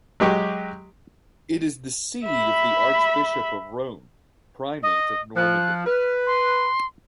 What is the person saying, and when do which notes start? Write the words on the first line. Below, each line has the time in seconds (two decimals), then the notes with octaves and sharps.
It is the see of the Archbishop of Rouen, Primate of Normandy.
0.20 F#3 G#3 G4 C#6
2.27 E5 B5
4.82 D#5
5.36 F3 F#6
5.86 B4 F6
6.26 C6